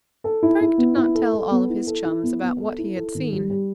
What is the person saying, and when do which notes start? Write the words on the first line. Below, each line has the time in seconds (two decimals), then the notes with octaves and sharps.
Frank did not tell all of his chums about what he had seen.
0.24 A4
0.43 E4
0.61 E4
0.78 B3
0.96 E4
1.15 A4
1.33 A4
1.51 B3
1.70 E4
1.87 A4
2.05 E4
2.23 B3
2.42 B3
2.60 A4
2.78 E4
2.96 A4
3.15 D#3
3.32 G3
3.50 G3